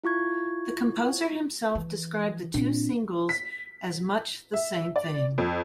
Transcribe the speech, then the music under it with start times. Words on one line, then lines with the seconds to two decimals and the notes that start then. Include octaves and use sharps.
The composer himself described the two singles as Much the same thing.
0.04 E4 F4 C#6 G#6
1.75 E3
2.54 A#2 C4 D4
3.29 B6
4.54 E5
4.96 D5
5.38 F2